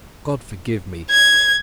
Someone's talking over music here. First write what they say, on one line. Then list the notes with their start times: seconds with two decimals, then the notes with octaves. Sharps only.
God forgive me!
1.10 G#6